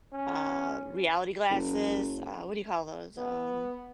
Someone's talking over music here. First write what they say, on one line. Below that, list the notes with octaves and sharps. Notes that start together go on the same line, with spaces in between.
uh, reality glasses? Uh, what do you call those? Um,
C#4
F#1
B3